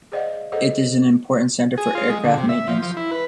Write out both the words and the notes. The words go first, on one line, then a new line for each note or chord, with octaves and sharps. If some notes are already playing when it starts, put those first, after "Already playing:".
It is an important centre for aircraft maintenance.
G#4 C5 D5 D#5 F5 F#5
G#4 A4 C5 C#5 D#5 F#5
G#4
F4
G#3
D3
C3
E5
F3
F3
E4
B4